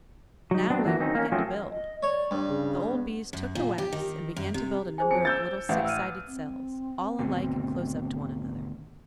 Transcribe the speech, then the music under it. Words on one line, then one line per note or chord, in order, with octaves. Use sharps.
"Now we will begin to build." The old Bees took the wax, and began to build a number of little six-sided cells, all alike and close up to one another.
F#3 D#4
F#3 B3 C4 D4
D3 E3 A#3 F#4
D#3 C4 C#4 D#4
A#3 C#4
F3 F#3 A3 C4 C#4
D#5
C#5 D5
G2
C#3
B3
F#2
A#2
G4
D#3
F#2
C3
G#4 C5 G#5
F2 C5 C#7 D7
E6 G6 A6
A1 F5 F#5
E6 F6 D#7
C4
G#1 D2 B2